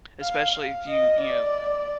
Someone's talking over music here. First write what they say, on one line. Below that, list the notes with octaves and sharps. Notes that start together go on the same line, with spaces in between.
Especially if you, you know
F5
D#5
D5